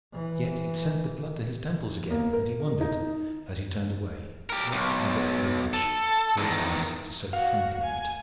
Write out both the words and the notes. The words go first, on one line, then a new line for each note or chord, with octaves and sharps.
Yet it sent the blood to his temples again, and he wondered, as he turned away, what the Abbot Berghersh would have answered to so frank an invitation.
E3
A#3
A#4
D#4
G4 A#4
B1
A4
E2 D#3
F#4 F5
G#5